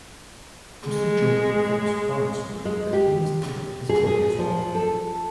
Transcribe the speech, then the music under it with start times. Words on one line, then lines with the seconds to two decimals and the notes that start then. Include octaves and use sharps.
Mr. Jordan informs Farnsworth that he must give up this body as well.
0.88 G#3
2.65 G#3
2.93 G4
3.89 G#4
4.07 G#4
4.39 F3
4.75 A4